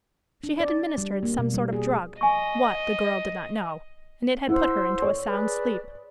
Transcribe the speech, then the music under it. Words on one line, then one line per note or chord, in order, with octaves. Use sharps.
She had administered some sort of drug--what, the girl did not know--and it had put her into a sound sleep.
D4
D5
G3
A#3
B2
G3
G#4
D#5 G#5 C#6
E4 C5 F#5 E6
C#5
G#4 B4 D5